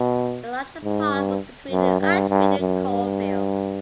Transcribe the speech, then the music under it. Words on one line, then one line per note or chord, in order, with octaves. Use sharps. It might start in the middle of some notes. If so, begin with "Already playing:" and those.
The larger part was between Ashby and Coalville.
Already playing: B2
G#2
G2
F#2
G2
G2
F#2
G2